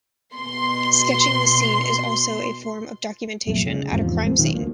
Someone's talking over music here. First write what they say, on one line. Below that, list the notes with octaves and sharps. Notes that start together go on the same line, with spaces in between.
Sketching the scene is also a form of documentation at a crime scene.
B2 C6
C2 F#2 A#2 A3
C#3 G#3
E2 G#2 C3 F3
A1 G#3 C4
B1 D#3 F3
D2 A#3